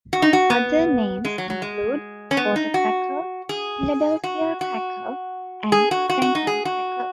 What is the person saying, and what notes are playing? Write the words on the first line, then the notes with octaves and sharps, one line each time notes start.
Other names include "water cracker," "Philadelphia cracker," and "Trenton cracker".
F#4
D#4
F#4
B3
G#3
F#3
F#3
G#3
C#4
B3
D#4
F#4
G#4
F#4
F#4
G#4
F#4
F#4
F#4
D#4
G#4
F#4